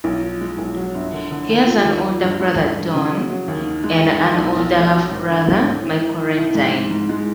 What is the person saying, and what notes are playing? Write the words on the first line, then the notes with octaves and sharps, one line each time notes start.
He has an older brother, Don, and an older half-brother, Michael Rendine.
B1
F3
G#3
B1
F#3
G1
D3
D3
D#2
F3
D#2
F3
G2
G#3
G2
G2
C#3
F#3
F#3
D#2
D#3
G#3
G2
D#3
B1
B1
A3
F#3
G#1
D3
D3
G#1
E3
E3
E3
C2
G#2
G#2
G#2
G#3